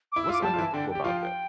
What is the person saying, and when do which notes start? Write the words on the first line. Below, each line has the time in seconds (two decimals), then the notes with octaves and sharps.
What's unethical about that?"
0.12 D6
0.16 E4
0.23 E6
0.29 F4 D6
0.42 G3 G4 A5
0.54 F4
0.58 E3 E4
0.74 D3 D4 G5
0.90 G5
0.95 G4
1.04 F3 F4 G5
1.21 G5